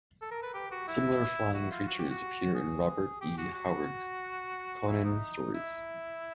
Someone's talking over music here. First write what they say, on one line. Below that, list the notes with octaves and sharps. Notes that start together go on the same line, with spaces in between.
Similar flying creatures appear in Robert E. Howard's Conan stories.
A4
A#4
B4
G4
F#4
E4
F#4
F4
F#4
G4
F#4
G#4
G4
F#4
F#4
E4
D#4
E4